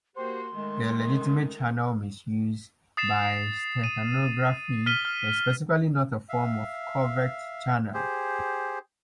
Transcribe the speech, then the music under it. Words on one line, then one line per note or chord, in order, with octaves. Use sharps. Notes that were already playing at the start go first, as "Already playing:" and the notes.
The legitimate channel misuse by steganography is specifically not a form of covert channel.
A#3 F#4 G4 C5 C6
D#3 G#3 A3
D#6 A6 C7 E7
D#7
F6 B6 D#7 G7
F6
E5 F5
G4 G#4 C5